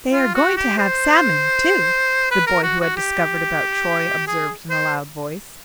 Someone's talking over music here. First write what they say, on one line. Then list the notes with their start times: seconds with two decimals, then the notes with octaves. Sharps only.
"They are going to have salmon, too," the boy who had discovered about Troy observed in a loud voice.
0.13 F4
0.35 F#4
0.57 G4
0.78 C5
2.31 B4
2.47 A#4
2.63 F#4
2.81 F#4
2.97 G4
4.27 G#4
4.70 C5